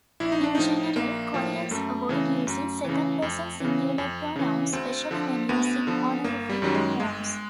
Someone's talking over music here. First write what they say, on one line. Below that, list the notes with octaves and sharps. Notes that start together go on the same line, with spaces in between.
In general, Koreans avoid using second person singular pronouns, especially when using honorific forms.
A#1 E4
D#4
D4
A2 F3 D#4
A#1 A#3
A2 F3
F#2 A3
C#3 E3
F#2
C#3 E3
F2
C#3 E3
F2
C#3 E3
D2 C4
D3 F3
D2 B3
D3 F3
G1 A#3
G3
F#2 D#3 F#3 G3
G#3
G1 G#3